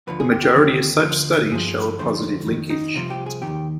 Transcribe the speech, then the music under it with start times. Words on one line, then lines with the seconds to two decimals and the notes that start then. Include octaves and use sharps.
The majority of such studies show a positive linkage.
0.07 D2 D3 F3 B4
0.20 G#4
0.32 G4
0.43 G4
0.55 D#2 D3 F3
1.03 D2 D3 F3
1.51 G2 F3 G#4
1.99 F2 D3 F3 C5
2.46 F2 D#3
2.70 D#4
2.94 C2 C3 F3
3.10 G4
3.26 G#4
3.42 D#2 D#3 G4